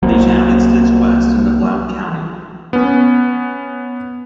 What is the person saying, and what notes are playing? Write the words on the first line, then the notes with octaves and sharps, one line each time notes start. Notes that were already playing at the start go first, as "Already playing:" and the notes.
The town extends west into Blount County.
C2 F#3 A#3 C4
B3 C#4